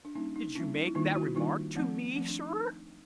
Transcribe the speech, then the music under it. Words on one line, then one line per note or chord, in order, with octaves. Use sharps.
Did you make that remark to me, sir?'
D4
G3 A#3 C#4 D#4
D#4
G3 A#3 C#4 D4 E4
D#4
E4
D#3 G3 A#3 D4 D#4 F4
E4 F#4
D#3 G3 A#3 D4 D#4 F4
F3 A3 C4
F3 A3 C4
D4
D#4